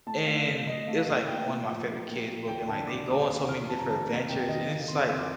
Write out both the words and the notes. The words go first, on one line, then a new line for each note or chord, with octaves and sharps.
And it was, like, one of my favorite kids' book, and, like, they go on so many different adventures, and it's just like,
A3 A5
A3 F5
A3 F5
A3 D#5
A3 F5
A3 F5
A#3 G5
A#2
F3
A#3
A#2
A#2
D#2 G5
D3 A5
D3 D6
D#2 D6
D#2
F3 F6
F2 A5
A#5
D#3 A5
A#3
F2 G5
D#3 D#5
F2 F5
F2 C6
F2
D6